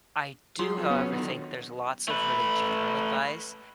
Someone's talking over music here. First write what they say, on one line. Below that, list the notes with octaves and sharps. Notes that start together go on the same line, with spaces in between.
I do, however, think there's lots of really general advice
F#3 F4 G#4 C6
F2 F3
B3 C#4
D3 D#3
A3 B4